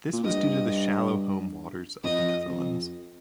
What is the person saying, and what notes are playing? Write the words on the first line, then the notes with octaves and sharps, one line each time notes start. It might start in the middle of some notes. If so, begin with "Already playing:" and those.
This was due to the shallow home waters of the Netherlands.
A#2
G2 D#5
F2 D#5
F2